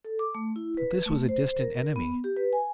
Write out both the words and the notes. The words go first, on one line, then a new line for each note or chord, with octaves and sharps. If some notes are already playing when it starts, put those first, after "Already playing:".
But this was a distant enemy.
A4
D6
A3
E4
B4
A3
C5
A#4
B3
G4
B4
G#5